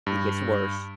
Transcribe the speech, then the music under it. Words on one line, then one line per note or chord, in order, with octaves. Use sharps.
It gets worse,
G2